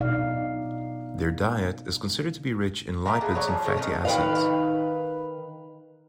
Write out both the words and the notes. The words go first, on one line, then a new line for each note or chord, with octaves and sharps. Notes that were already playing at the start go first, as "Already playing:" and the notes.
Their diet is considered to be rich in lipids and fatty acids.
B2 D#4 D5 F5
A#3 E4 E5 A#5
A3 B3 G#4
F#3 C#5 D5
F3 G#4
B2 G#3 A4 C#5
D#3 A3 C#4 D#4
D#3 B4 F5